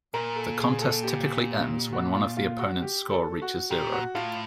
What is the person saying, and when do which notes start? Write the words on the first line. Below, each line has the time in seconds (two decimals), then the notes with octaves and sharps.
The contest typically ends when one of the opponents' score reaches zero.
0.14 A#2 A#4
0.36 A4
0.59 G#4
0.82 A4
1.03 G4
1.93 F#4
2.14 F4
2.37 F4
2.59 F#4
2.82 G4
3.11 A4
3.42 F#4
3.70 A#2 G4
3.92 F#4
4.15 A2 F4